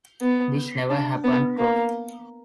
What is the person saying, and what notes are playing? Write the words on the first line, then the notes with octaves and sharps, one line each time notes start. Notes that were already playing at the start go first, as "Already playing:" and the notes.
This never happened though.
B3
D4
B3
A#3